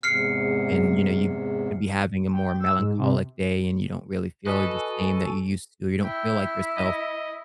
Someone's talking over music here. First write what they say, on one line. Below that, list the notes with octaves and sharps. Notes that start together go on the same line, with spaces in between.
when, you know, you could be having a more melancholic day and you don't really feel the same that you used to, or you don't feel like yourself,
E2 G#2 C3 F6 C7 C#7
G5
E6
G#2
C3
F#4 A4 B4 D#5 G#5
E4 G5
D#5